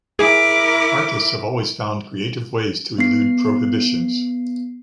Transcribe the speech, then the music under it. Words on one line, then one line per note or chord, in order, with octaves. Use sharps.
Artists have always found creative ways to elude prohibitions.
E4 G#4 A#4 D6
B3 C7